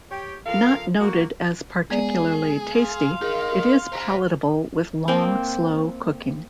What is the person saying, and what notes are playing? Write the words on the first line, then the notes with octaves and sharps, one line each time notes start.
Not noted as particularly tasty, it is palatable with long, slow cooking.
G4 C#5 G5
F3 A4 A#4 F5
A#3 F#4
G#3 B3 G#4 D5
F5 C6
D#4 G#4 A#4
C5 A#5
A#3 C4